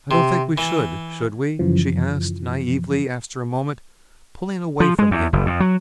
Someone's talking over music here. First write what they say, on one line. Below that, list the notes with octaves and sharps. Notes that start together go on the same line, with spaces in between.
"I don't think we should, should we?" she asked, naively, after a moment, pulling away from him.
C3
E3
F#2 C#3 E3 F3
F3
G#3
E2
F#1
F2
F#3